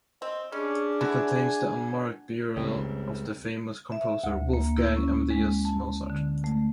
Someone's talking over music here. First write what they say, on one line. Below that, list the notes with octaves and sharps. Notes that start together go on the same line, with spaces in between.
It contains the unmarked burial of the famous composer Wolfgang Amadeus Mozart.
C4 D#5
G3 C#4 D4 G#4
D3 E4 F#4 G#5
F#1 C#2 G3 C4
E5
D2
A#3
E4
C#4
G#3
A5
D3
A3